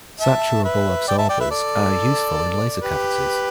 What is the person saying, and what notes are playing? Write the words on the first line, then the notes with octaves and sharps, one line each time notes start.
Saturable absorbers are useful in laser cavities.
E5 A5
B4 E5
D5 G5
E5 A5
D5 G5
B4 E5
A4 D5
G4 B4